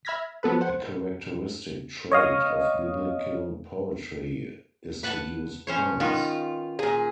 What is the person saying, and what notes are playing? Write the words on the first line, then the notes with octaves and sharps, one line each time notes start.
A characteristic trait of biblical poetry is to use puns.
E5 B5 F6 G#6 A#6 B6
F3 F#3 B3 A4 B4
C5 F#5
C#5 D#5 F5 D#6
B4 F#5 A5
C#4 C5 C#5
D#3 B3 D#4 F4
A#2 G#4